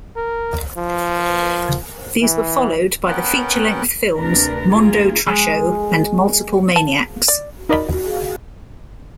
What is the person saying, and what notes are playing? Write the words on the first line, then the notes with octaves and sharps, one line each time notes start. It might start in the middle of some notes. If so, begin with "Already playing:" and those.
These were followed by the feature-length films "Mondo Trasho" and "Multiple Maniacs".
A#4
F3
E3
B3 C#4 A#4 B4 F#5 G5
D2 C3 D4 A#4 B4
D2 A#3 F4 G#4
G#3
A5
D5
D#4 A#4 D5 D#5 B5